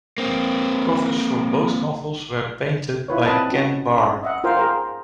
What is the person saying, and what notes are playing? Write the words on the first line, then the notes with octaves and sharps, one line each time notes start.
Covers for both novels were painted by Ken Barr.
A#3 C4
E4 F4 B4 C#5
C4 B4 D#5 A5
C#4 F#4
D#5 E5 F#5
F4 A#4 C5 F5 G5
G#4 A#4 C5